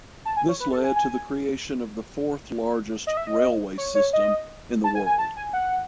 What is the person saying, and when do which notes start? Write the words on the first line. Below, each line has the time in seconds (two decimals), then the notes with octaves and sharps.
This led to the creation of the fourth largest railway system in the world.
0.25 A5
0.37 G#5
0.49 C#5
0.60 B4
0.72 A4
0.84 G#5
0.96 G#5
3.07 D#5
3.17 E5
3.27 D#5
3.78 C#5
3.95 C#5
4.13 D#5
4.84 A5
4.95 G#5
5.06 G#5
5.19 A5
5.37 G#5
5.53 F#5